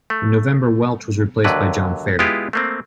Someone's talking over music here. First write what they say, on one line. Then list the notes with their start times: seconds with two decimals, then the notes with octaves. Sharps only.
In November, Welch was replaced by John Fair.
0.10 A3
1.44 D#2 D3 F#3 B4 D5
2.19 G#3 B3 E4 F4 G4 B4
2.53 A3 A#3 C4